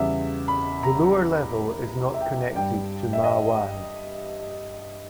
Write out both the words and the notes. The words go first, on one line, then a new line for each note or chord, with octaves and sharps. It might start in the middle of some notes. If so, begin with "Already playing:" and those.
The lower level is not connected to Ma Wan.
Already playing: E2 C#3 G3 E5
B5
A#5
E5
G5
G2 G3 G5
E5
D#5